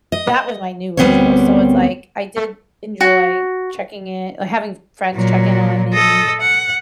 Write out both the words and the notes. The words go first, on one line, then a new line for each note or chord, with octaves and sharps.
that was my new ritual, so it's like, I did enjoy checking in like, having friends check in on me,
D#5
D2 G3 B3 C4 A#4 C#5
F#4
A#2 F#3
A4 D#5
F#5